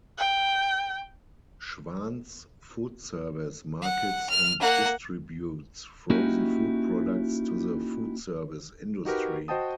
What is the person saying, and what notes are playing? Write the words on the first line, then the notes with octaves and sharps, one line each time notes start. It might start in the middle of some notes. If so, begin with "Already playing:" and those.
Schwan's Food Service markets and distributes frozen-food products to the food service industry.
G5
F#5
F6
A#3 F#5
A#3 C#4 D#4 E4 F#4 G4
D#4 F#4 G4 A#4 B4
F#4 C5 D#5 G5 A5 D#6